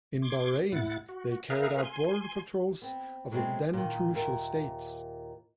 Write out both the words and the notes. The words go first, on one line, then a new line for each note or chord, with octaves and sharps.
In Bahrain, they carried out border patrols of the then Trucial States.
C6 D6 G#6
A2 E4 F#5 A6
F#4
G#4 A#4 B4 E5 F5 A#5
G#5 C6
B3 C4
F#3 G#3 A3 B3 C4
A#2 D#3
D#2 A#2 A#4 E5